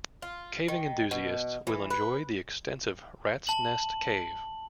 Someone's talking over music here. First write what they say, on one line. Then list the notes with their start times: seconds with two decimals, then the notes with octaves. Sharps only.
Caving enthusiasts will enjoy the extensive Rat's Nest Cave.
0.22 F4
0.68 D#3
1.11 B2
1.67 E3
1.90 B4
3.47 A5 F#7